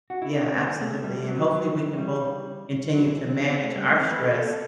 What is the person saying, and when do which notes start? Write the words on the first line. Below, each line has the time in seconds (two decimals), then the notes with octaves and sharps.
Yeah absolutely, and hopefully we can both continue to manage our stress
0.10 F#4
0.22 E4
0.33 D4
0.45 C4
0.57 B3
0.81 A3
1.04 G3
1.28 F#3
1.52 F#3
1.76 E3
1.98 G3
2.93 F#3
3.06 E3
3.29 C4
3.40 D4
3.52 C4
3.64 A3
3.76 G3
3.88 A3
4.00 C4
4.11 B4
4.23 A4
4.35 A4